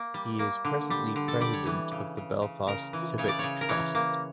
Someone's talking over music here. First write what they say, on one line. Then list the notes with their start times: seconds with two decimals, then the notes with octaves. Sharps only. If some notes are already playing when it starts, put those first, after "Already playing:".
He is presently President of the Belfast Civic Trust.
Already playing: A#3
0.14 G3
0.39 A#3
0.65 D3
0.90 G3
1.16 D3
1.28 A4
1.41 G3 D5
1.54 C#5
1.66 E3
1.92 C#3
2.17 C#3
2.42 C#3
2.67 C#3 A#4
2.93 E3
3.18 C#3 C#5
3.28 D5
3.39 C#3 C#5
3.61 A#4
3.69 E3 C#5
3.95 A#3